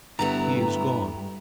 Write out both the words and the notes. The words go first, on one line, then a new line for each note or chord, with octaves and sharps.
He is gone!
G2 D3 A3 B3 E4 A#5